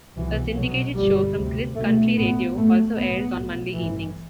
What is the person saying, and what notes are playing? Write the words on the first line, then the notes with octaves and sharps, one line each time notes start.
A syndicated show from Chris Country Radio also airs on Monday evenings.
C2 B2 E3
B1 B2 F#3
G1 G2 G3
D2 C3
B1 B2 A3
A1 A2 B3
A1 G2 A3
B1 A2 B3
B1 A2
A1 G2 E3